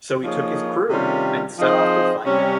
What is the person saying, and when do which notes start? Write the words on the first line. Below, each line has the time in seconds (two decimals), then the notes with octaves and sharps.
So he took his crew and set off to find him.
0.22 F3 A#3 D#4 G#4 C#5
0.90 C3 D#3 G3 C#4 F4
1.58 F3 C4 D#4 G#4 C5
2.25 C3 G3 C#4